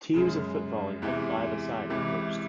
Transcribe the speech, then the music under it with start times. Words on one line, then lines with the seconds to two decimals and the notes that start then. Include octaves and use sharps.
Teams of footvolley had five a side at first.
0.14 F#2 C#3 G#3
1.02 E2 C3 E3 G#3
1.90 C#2 C3 E3